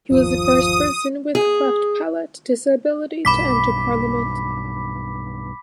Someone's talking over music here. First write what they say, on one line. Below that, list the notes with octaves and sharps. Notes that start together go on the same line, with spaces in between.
He was the first person with the cleft palate disability to enter Parliament.
G1 D#2 F3 D#6
G#4
B1 G2 B5 D6 B6